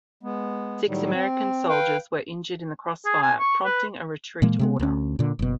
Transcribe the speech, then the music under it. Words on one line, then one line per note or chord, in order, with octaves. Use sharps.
Six American soldiers were injured in the crossfire, prompting a retreat order.
G#3 B3
A2 D#3 F#3 G3
C4
B4 F5 G5
G#4
G#5
C#6
B4
A#2 E3 G#3 A#3
C3 G#3 B3
D2 C#4
A#2 D3
F#1 B2